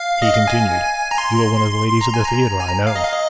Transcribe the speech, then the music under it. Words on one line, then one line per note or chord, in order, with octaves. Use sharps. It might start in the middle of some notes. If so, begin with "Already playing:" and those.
He continued, 'You are one of the ladies of the theatre, I know.
Already playing: F5
D#5
F5
G#5
A#5
C6
C6
A#5
G#5
A#5
G#5
A#5
F5
D#5
F5
D#5